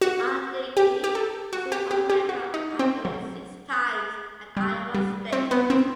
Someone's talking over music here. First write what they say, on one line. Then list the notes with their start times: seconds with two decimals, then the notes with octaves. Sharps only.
Ondieki received All-America accolades six times at Iowa State.
0.01 F#4
0.77 G4
1.04 G4
1.15 A4
1.53 F#4
1.72 G4
1.91 G4
2.10 G4
2.29 F#4
2.54 D#4
2.79 C4
3.05 F#3
4.57 G3
4.94 G3
5.33 C4
5.51 B3
5.70 C4